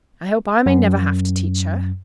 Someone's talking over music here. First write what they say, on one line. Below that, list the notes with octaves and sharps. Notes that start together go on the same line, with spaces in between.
"I hope I may never have to teach her."
F#2